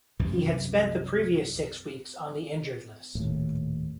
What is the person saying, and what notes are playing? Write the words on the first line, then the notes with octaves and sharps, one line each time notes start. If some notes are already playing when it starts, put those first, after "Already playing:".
He had spent the previous six weeks on the injured list.
C2 F#2 C3 E3
D#1 D#2 A2